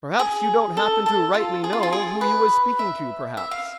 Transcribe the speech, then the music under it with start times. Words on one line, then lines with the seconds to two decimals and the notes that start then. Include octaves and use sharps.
Perhaps you don't happen to rightly know who you was speaking to, perhaps?
0.19 G#4
0.77 A4
1.06 A4
1.34 F4
1.64 G#4
1.73 F4
1.83 F4
1.92 G#4
2.21 B4
2.79 E5
3.37 E5
3.51 F5